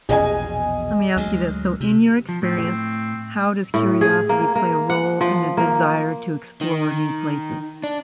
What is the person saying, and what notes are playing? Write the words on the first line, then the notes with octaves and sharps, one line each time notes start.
lemme ask you this, so in your experience, how does curiosity play a role in the desire to explore new places?
A#1 E2 B2 G#4 D#5 G#5
D2 F#3 G#3
C3
F3
A2 C4
A2
G#4
A#3
A#3
F#5
F3
A#3
D#3
D4